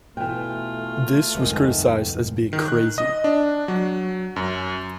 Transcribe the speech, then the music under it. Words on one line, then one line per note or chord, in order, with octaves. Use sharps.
This was criticised as being "crazy".
B2 E3 A3 F4 G5
G1 C2 F2 D#3 G#3 B3
D#3
F#6
D#5
D4
F#3
F#2